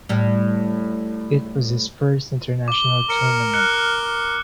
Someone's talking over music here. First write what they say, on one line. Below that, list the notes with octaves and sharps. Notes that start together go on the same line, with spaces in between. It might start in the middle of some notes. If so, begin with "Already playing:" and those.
It was his first international tournament.
A2 G3
D6 G7
A#4 C#7
F6 F#6 C#7